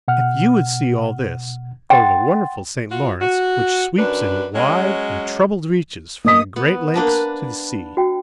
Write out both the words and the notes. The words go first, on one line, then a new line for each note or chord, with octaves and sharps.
If you would see all this, go to the wonderful St. Lawrence, which sweeps in wide and troubled reaches from the Great Lakes to the sea.
B2 F#5 F6
F#5 G5 C6 A6
F4 F#4
F#4
F#2 D4 B4
F#3 G#3 C#4
A#3 D#5 D#6 B6
B3
A#3 D4 B4
B4
F#4 G5